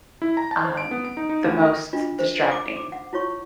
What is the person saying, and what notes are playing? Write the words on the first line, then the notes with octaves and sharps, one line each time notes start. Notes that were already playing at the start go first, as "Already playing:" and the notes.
um, the most distracting.
E4
A#5
A5
C5
D7
B3
D7
D#4
D#4
D2
A#4
D4 F4 D#5
C5
D6
D6
F#5
E4 F4 C#5 C#6